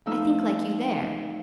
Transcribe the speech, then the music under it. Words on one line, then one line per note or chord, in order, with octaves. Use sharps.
I think like you there.
F3 A3 D#4 E6